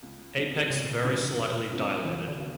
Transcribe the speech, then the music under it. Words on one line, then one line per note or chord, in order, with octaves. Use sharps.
Apex very slightly dilated.
C#2
B2 G3 C4 D#4
G#1 C#3
G2 C#3 E3 G#3
E1
D2 C3 F3
C#2 E3
D3
C#3 F#3 B3